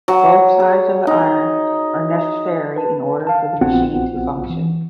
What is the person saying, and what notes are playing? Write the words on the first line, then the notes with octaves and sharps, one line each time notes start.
Both sides of the iron are necessary in order for the machine to function.
F#3
G#4
D#4
B4 A5
F5 A5
A#1 B3 C4 F4 F#4 F#5
E3